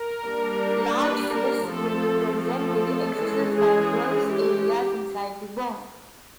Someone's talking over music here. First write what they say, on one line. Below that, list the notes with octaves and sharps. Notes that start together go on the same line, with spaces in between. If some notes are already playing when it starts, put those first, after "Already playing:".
Large cysts will be present with excessive fibrous areas inside the bone.
Already playing: A#4
G3 A#3 D4
B4
A#4
F3 A3 C4 A4
A4
E3 G#3 C#4
G#4
G4